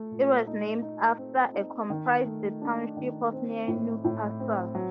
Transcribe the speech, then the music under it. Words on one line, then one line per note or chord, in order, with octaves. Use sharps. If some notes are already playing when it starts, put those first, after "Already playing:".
It was named after and comprised the township of near Newcastle.
Already playing: A3
A#2
D#4
D#4
C4
D#4
D#3
A3
D4
D#3
C4
A2
A2
C4
F#3